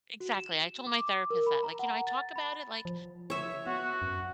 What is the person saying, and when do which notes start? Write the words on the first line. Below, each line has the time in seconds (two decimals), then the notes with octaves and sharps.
exactly, I told my therapist that, like, "You know, I talk about it like
0.20 F#4
0.35 E7
0.87 D6
1.30 A#4
1.47 B5
1.63 A#5
1.79 F#5
2.07 A6
2.36 B5
2.85 F3
3.30 C#5 E5
3.67 B3 F#4
4.02 F#2